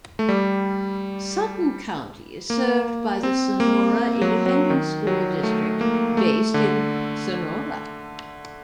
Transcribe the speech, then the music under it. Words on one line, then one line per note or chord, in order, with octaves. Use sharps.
Sutton County is served by the Sonora Independent School District based in Sonora.
A3
G3
A#3
C4
A#3
F#3
F#3
D#3
F#3
A3
A#3
A3
D3